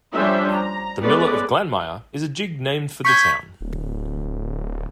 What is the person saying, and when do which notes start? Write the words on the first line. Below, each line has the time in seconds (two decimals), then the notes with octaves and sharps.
"The Miller of Glanmire" is a jig named for the town.
0.13 F3 G3 C#4 D4 C5 E5
0.53 A#5
1.02 G#3 B3 C#4 A4 B4 D5
3.05 C#6 G6 G#6 B6
3.61 D1